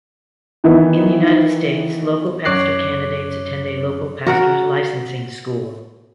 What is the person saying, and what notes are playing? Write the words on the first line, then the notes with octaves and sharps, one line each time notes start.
In the United States, Local Pastor candidates attend a Local Pastors Licensing School.
D#3 E3 B3 D#4 E4
F#2 C#5 D6 F#6 C7
F#4 A#4 F#5